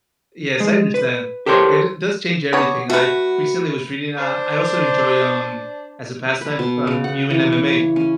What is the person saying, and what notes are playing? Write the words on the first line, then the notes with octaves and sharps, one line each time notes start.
Yes, I understand, and it does change everything, I recently was reading uh, I also enjoy, um as a pastime, s um, viewing MMA
G#3
B4
G4 A4 A#4 C5 C#5
B3 D4 C#5
A3 F#4 B4
D4 C5
B4
B2
C#3
F#5
E3
E4
C#5
C#4